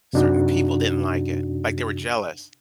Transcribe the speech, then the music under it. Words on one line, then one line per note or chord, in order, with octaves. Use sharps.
Certain people didn't like it, like, they were jealous?
F#2 C3 D4 D#4 F#4